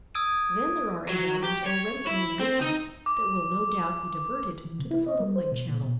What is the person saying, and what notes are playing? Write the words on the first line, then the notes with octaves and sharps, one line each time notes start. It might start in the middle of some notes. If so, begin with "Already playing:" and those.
Then there are endowments already in existence that will no doubt be diverted to the photoplay channel.
D#6 E6 G#6 D7 D#7
F#3
G4
C#5
E4
C4
D#4
D6
E3
C3
E4
D#5
G3
C5
B2
A#2
B2